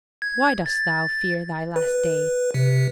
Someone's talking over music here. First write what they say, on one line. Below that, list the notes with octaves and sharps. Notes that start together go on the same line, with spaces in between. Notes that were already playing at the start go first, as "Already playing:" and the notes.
Why dost thou fear thy last day?
G#6
A6
B4
C3